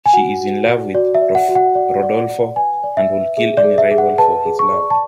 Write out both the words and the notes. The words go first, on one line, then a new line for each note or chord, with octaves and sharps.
She is in love with Rodolfo, and would kill any rival for his love.
G#5
F#4 F#5
F#4
D5
F#4 D5
E5
D5
F#5
F#4
F#5
D5
D5
D5
B4 G#5
D5
E5
B4
G#4 E5
D5
G#4
E5
G#4
F#5
B4 A5
G#4
C#6
D5
A5